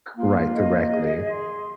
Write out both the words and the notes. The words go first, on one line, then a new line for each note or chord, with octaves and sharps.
Right. Directly.
A#3 F4
D#5
G#4
C6